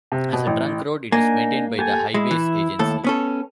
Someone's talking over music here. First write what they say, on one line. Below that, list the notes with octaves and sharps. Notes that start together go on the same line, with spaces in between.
As a trunk road it is maintained by the Highways Agency.
C3
B2
A1
A#3 D4 D#4 G#5
G4 A4 G#5
G#3 E4
E3
D#2 A2 A4
B3 C#4 A4